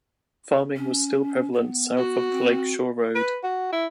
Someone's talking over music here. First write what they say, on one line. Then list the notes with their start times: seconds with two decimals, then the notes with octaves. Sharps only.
Farming was still prevalent south of The Lake Shore Road.
0.76 C#4
1.54 B3
1.97 F#4
2.31 C4
3.16 B4
3.44 F#4
3.73 E4